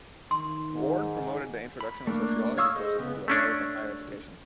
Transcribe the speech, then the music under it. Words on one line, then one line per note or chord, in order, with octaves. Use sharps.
Ward promoted the introduction of sociology courses into American higher education.
D#3 C6
G#2
B5
A3 A#3 D4
C#5 F5 C#6 D#6 E6
G#4 A4 C5 D#5
C#3 B3
A3 C#4 D4